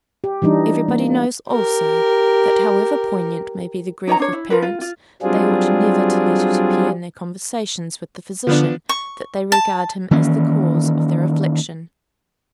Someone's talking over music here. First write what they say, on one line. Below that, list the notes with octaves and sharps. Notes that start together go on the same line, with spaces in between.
Every body knows, also, that however poignant may be the grief of parents, they ought never to let it appear in their conversations with the physician, that they regard him as the cause of their affliction.
G4
E3 G3 D4 D#4
A#3
G4 A#4
D#4 C#5 D5 A#5
D4 C#5
E4
F4 A#4 B4
F4
F4
F#3 G3 C4 D4 F4 G#4
D3 F3 B3 D4
C#6
A5
D#3 E3 A#3 C#4